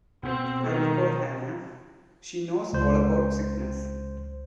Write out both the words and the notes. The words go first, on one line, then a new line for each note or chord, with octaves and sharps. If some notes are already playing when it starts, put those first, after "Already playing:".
I'll call Hannah, she knows all about sickness.
B2 C4
D#3
C#2 C5